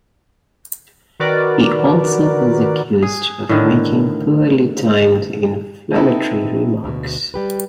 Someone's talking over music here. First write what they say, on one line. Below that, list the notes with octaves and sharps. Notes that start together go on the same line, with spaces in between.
He also was accused of making poorly timed inflammatory remarks.
D#3 F#4 A#4 B4 D5
G#4
A2 D3 D#3
B3 C4 D#4 E4 A4 C#5
D2 B2
G3 G4 B4